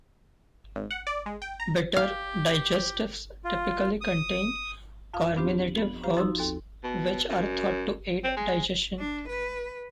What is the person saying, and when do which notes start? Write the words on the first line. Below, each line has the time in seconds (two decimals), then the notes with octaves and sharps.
Bitter digestifs typically contain carminative herbs, which are thought to aid digestion.
0.76 G#1
0.91 F#5
1.07 D5
1.26 G#3
1.42 G5
1.60 A#5
1.96 G4 F5
3.45 F4
4.01 D#6
5.14 F2 F4 F5 D#6 F6
5.36 B3 C4 D4 F4 G4 C5
5.76 F3 B3
6.04 F4 G4 C5 F5 A#5
6.17 F3 D#4 F#4 C6 E6
6.38 D#2 C4 A4 C6
6.83 B2
7.30 F#2
8.24 C4
8.36 G#3
8.99 D4
9.29 B4